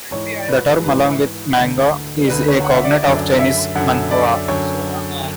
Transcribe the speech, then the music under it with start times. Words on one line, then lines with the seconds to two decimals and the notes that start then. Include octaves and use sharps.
The term, along with manga, is a cognate of the Chinese manhua.
0.11 G#2 E3 C#5
0.48 B4
0.84 G#2 E3 B4
1.58 D2 D3
2.30 D2 D3 B4
2.48 C#5
2.64 F#5
2.74 E5
2.84 D5
3.02 F#2 D3 D5
3.39 E5
3.75 F#2 D3 F#5
4.11 D5
4.48 F#2 D3 C#5
5.20 D3